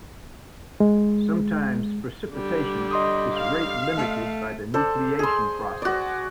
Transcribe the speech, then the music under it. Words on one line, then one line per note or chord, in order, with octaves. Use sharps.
Sometimes precipitation is rate-limited by the nucleation process.
G#3
D3 G3
D#5 C6 D#6
F5
A3
A4 C5 D5
G#4 C6
F#4 D5